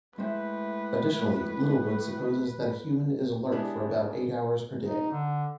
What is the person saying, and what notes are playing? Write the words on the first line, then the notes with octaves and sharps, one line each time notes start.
Additionally, Littlewood supposes that a human is alert for about eight hours per day.
A2 G#3 B4 C5 E5
G#3 B3 D4 E4 G4
D#4
D3